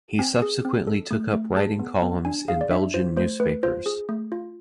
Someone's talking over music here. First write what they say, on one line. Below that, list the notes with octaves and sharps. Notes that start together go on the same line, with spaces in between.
He subsequently took up writing columns in Belgian newspapers.
C4 G#5
G#4
C4
A4
A3
A3
G#4 A5
B3
B3
D4 G#5
G#4 F5
D5
D4 E5
F4 C5
A3 C5
A3 B4
F4 C5
G#4
A3
F4